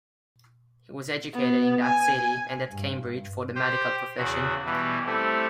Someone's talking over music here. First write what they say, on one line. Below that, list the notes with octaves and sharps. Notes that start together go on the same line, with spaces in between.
He was educated in that city and at Cambridge for the medical profession.
B3
G#5
G2
G4 C5 G5
E2 C#3 F#4
B2 E3 G3
G3 A3 C4 E4